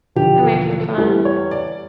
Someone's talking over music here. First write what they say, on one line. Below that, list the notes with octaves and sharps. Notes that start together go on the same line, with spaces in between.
I might for fun,
E1 E2 D3 F3 G4
A4
A4
E2 E3 G3
C#5
D5